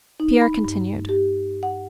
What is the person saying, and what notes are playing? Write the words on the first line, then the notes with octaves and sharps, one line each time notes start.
Pierre continued.
D#4
B5
G2
G4
F#5